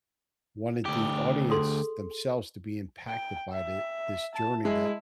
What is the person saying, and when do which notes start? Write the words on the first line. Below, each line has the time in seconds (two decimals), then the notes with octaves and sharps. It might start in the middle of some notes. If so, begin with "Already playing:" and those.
wanted the audience themselves to be impacted by the this journey that
0.86 D2 G4
1.49 G#4 A4 C6
3.08 G5
3.52 E5
4.35 A5
4.65 G#3 E4